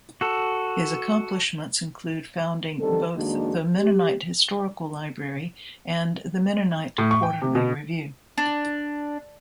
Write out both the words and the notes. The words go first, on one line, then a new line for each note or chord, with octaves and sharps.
His accomplishments include founding both the Mennonite Historical Library and The Mennonite Quarterly Review.
F#4 A4
D3 D#3 G3 C4 A4
F2 D#3 G#3 A#3 D4 F#4
G4
A2
C#6
G5
C3
B2
D4